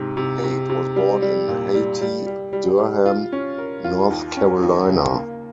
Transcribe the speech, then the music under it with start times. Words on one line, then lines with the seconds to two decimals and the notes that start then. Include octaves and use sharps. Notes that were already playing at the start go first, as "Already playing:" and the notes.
Tate was born in Hayti, Durham, North Carolina.
Already playing: G#2 C3
0.17 C3
0.44 C3
0.70 C3
0.96 G3
1.22 G3
1.48 A#2
1.74 G3
2.01 G3
2.26 G3
2.53 G3
2.79 G3
3.06 F4
3.32 C#4
3.58 A#4
3.84 F4
4.10 D#2
4.37 C#4
4.63 D#2
4.89 C#3
5.15 A#3